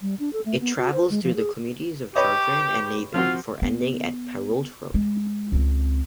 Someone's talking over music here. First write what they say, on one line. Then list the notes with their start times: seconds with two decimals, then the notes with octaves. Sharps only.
It travels through the communities of Chartrand and Navan before ending at Perreault Road.
0.02 G3
0.19 D4
0.33 A4
0.45 A3
0.61 B3
0.77 F#4
0.93 C5
1.10 G#3
1.23 F3
1.36 G#4
2.16 G4 B4 C#5 D#5
3.14 F3 C4 F4 F#4
3.62 B3
4.94 G#3
5.52 C#2 C4